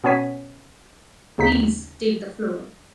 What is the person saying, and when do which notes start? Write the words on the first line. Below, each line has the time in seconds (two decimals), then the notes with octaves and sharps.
Please, take the floor.
0.04 B2 B3 C#4 C#5 G#5 B6
1.38 D#2 C#3 D#4 B6